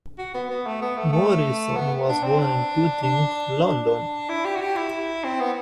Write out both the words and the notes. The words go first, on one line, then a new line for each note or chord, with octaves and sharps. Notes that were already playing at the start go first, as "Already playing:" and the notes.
Morrison was born in Tooting, London.
F#4
B3
B3
A3
B3
A3
A3
B3
D4
C4
D4
D4
D4
E4
G4
F#4
G4
E4
C4
B3